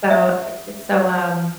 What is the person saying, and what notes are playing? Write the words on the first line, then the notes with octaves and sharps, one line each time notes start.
so eh, e so, um,
E5